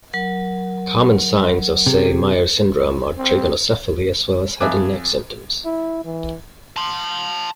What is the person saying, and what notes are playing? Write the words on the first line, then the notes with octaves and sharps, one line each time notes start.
Common signs of Say-Meyer syndrome are trigonocephaly as well as head and neck symptoms.
F#3 A#4 F#5
C3 G4 G#4
C4
F2 E5 G#5 D6 F#6
E4
E3
A5 C6